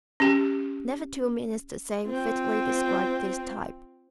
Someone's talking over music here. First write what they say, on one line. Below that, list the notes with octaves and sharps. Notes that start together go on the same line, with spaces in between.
"Never two minutes the same" fitly describes this type.
C#4 G4
C4 F4